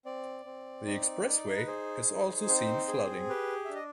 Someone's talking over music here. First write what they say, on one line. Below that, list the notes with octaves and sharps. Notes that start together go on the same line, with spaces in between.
The expressway has also seen flooding.
C4 D5
C4
D#4
D#4
B4
G#4 C5
D#4
C4
G#4
G4 B4
E5
D4
D#5